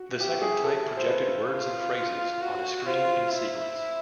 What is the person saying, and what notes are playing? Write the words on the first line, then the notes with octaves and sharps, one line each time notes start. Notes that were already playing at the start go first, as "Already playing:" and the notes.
The second type projected words and phrases on a screen in sequence.
Already playing: F#4
E4 G4
G#4
A4
C5
F4 B4
F4
F#4
F4 C5
E4